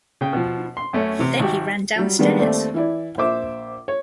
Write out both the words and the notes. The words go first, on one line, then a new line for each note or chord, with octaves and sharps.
Then he ran downstairs.
C#3 G5
B2 F3
C6
F#2 A3 C#4
C3 E3
G#1 F#4 G4
F#3 G3
D#3 G3 G#3 A#3 B3 D4
D#2 A3 C4 D5
E3 E4 D5
A#1 C5 E5 D6
C#5